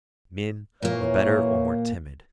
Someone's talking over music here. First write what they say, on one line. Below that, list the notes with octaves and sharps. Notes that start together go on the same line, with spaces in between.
Men were better, or more timid.
A#2 E3 A#3 C#5